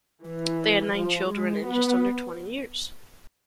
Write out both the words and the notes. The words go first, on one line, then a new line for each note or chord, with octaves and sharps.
They had nine children in just under twenty years.
E3
F3
G#3
B3